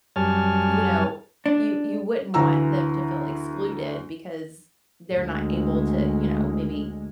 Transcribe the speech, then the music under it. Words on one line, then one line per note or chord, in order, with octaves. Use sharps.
you know, you you wouldn't want them to feel excluded because they're not able to, you know, maybe
F#2 G3 C#5 G#5 A5 F6
D4
D2 E3 A#5 E6
D2 G#3